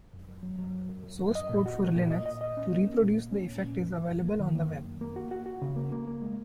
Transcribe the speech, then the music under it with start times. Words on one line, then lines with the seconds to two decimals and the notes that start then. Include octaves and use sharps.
Source code for Linux to reproduce the effect is available on the web.
0.13 F#2
0.28 F#2
0.43 F#3
0.58 F#3
0.74 F#2
0.89 F#2
1.04 F#2
1.20 F#2
1.35 D#5
1.49 A#2
1.66 F#4
1.80 A#2
1.95 A#2
2.10 D#5
2.26 D#5
2.41 D#5
2.57 C#4
2.72 A#3
2.87 A#3
3.02 A#2
3.17 A#3
3.32 C#4
3.48 A#2
3.64 A#2
3.79 F#2
3.93 F#2
4.09 F#2
4.24 A#3
4.40 D#3
4.55 A#3
4.70 F#2
4.85 F#2
5.01 A#3
5.16 F#4
5.31 F#4
5.46 F#4
5.62 C#3
5.76 A#3
5.92 A#3
6.08 A#3
6.22 G#3